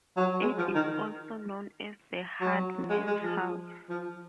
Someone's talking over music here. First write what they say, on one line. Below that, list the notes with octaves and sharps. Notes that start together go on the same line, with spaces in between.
It is also known as The Hardmans' House.
F#3
G#3
F3
D#3
F#3
G#3
G#3
F3
F3